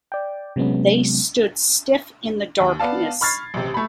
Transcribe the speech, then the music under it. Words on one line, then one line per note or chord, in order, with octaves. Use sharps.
They stood stiff in the darkness.
D5 G5
C3 F#3 G#3 B3 C#4
D#2
B3 D5 F5 A5
B5 C#6 F6 G#6 A6 C7
A1 C3
A3 B5